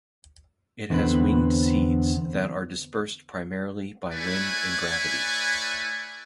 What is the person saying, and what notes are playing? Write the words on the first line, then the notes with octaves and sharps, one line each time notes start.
It has winged seeds that are dispersed primarily by wind and gravity.
E2 D3 B3 C4 B4
A3 E4 B4 C#5 D5 G#5